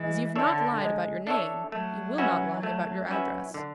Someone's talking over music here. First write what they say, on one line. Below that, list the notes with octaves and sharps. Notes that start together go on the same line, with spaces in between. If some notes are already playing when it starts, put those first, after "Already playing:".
As you have not lied about your name, you will not lie about your address.
Already playing: E3 G#3
D3 D4 A4 C#5 E5
G#3
D4 A4 C#5 E5
F#3 A3
C#4 F#4 B4 E5
A3
C#4 F#4 B4 E5
D3